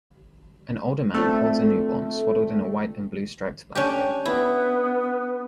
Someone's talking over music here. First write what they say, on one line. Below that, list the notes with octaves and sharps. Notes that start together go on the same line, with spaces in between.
An older man holds a newborn swaddled in a white and blue striped blanket.
A3 C4 D4 F4
C#4 D4 G4
B3 E4